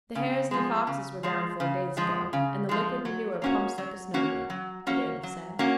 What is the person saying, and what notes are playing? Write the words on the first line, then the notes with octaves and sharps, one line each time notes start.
"The hares and foxes were down four days ago, and the liquid-manure pumps like a snow man," the bailiff said....
C#3
F3 G#3
C#3
F3 G#3
C#3
F3 G#3
C#3
F3 G#3
F#3
A#3 C#4 F#4
F#3
A#3 C#4 F#4
F#3
A#3 C#4 F#4
F#3
A#3 C#4 F#4